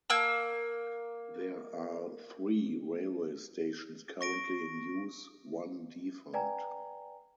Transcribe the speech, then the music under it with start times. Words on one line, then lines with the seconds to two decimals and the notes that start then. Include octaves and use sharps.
There are three railway stations currently in use, one defunct.
0.10 A#3 E6
4.21 C#6 A#6 D7
6.33 B4 D5 G5 G#5 A#5